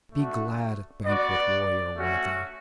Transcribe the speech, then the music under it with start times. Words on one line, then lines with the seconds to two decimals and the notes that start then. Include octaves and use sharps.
Be glad at banquet, warrior worthy!
0.12 A3 D4 F#4
1.05 B3 F#4 D5
1.96 A3 C#4 F#4